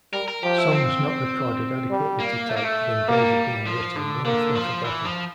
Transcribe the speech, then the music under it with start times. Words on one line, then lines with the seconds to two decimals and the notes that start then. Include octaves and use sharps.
Songs not recorded adequately to tape within days of being written were often forgotten.
0.13 G3 A#4
0.28 A#4
0.43 F3 G4
0.58 E4
0.72 C4
1.90 G3
2.20 A#3
2.49 A3
2.57 A#3
2.64 A3
3.08 G3 A#3
3.67 F3
3.96 D3
4.25 D3 A#3
4.55 F3
4.85 E3
5.05 F3